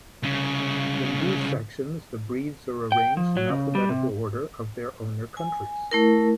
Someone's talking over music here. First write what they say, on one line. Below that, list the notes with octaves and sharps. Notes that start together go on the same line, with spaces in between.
In these sections the breeds are arranged in alphabetical order of their owner countries.
C2 C#3
G5
F3
F#3
C#3
G3
C3
G#5
A3 E4 A#4